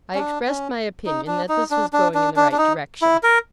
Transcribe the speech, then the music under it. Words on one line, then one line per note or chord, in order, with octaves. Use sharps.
I expressed my opinion that this was going in the right direction.
C#4
D4
C#4
D#4
D4
D#4
D4
D4
D4
D4
D4
D#4
E4
A#4